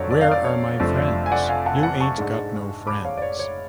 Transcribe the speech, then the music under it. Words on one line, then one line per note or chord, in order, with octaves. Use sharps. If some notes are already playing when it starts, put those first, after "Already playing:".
Where are my friends? You ain’t got no friends.
Already playing: F2 D3 F#3 A3 C#5 D5
D5
F5
D5
C#5
F1 F2 F3 A3 D4 D5
D5
G#5
D5 F#5
F5 G#5
F#5 A5
G#5
F#5 A5
A5 C#6
G#2 G#3 D4
B5 D6
C#5 F5
D5
C#5
C#5